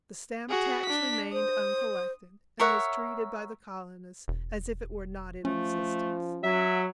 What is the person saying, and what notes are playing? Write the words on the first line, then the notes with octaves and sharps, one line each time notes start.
The stamp-tax remained uncollected and was treated by the colonists as if it were not in existence.
F#4 G#4
D4 B6
C5 D#6
A#4 C#5 E5 F#5
E1
F3 A3 C#4
F#3 E5